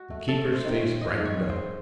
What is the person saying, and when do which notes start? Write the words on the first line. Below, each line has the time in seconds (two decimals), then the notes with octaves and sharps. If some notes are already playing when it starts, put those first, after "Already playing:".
The keeper's face brightened up.
Already playing: F#4
0.10 A3
0.28 A3 A4
0.47 A3
0.53 C5
0.64 D#3
0.77 C#5
0.82 D#3
1.01 C4 D#5
1.19 G#2
1.25 C#5
1.37 C4
1.49 C5
1.56 C4